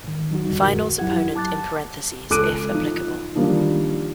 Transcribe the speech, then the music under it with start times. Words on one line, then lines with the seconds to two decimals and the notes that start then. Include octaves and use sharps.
Finals opponent in parentheses, if applicable.
0.04 G#2 D#3
0.31 F#3 D#4 F#4
0.46 E2 D3 G3 F#4
0.62 F2 A2 F#4 A#4
0.98 F#2 F#3 E4 G4 F#5 G#6
1.35 A5 D6 F#6 A6
2.30 C#2 A4 D6 F#6 D7 D#7
2.71 F3 D#4
3.35 D#3 F3 G3 A#3 D4 D#4